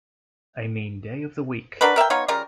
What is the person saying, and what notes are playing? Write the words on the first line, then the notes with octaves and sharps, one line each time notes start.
I mean day of the week.
D4 F#4 A#4 B4
A#4 E5 F5 G5
B3 D#4 F4 C#5
C#3 G3 F4 A#4